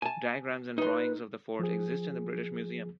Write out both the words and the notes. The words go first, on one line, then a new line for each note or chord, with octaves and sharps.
Diagrams and drawings of the Fort exist in the British Museum.
G#5 A5
D#4 B4 C6
F3 G#4